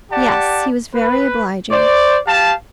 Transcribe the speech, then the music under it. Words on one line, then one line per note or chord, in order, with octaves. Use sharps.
'Yes; he was very obliging.
G4 D5 F#5 A5
B4
C5 D5
G4 F5 A5